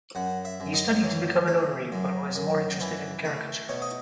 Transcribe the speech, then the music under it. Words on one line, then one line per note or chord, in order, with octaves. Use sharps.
He studied to become a notary, but was more interested in caricature.
F#2 F#5
E5
F#2
D#5
E3 C#5
A3
F#2
F#2
E3 B4
A3
B2 C#5
D#5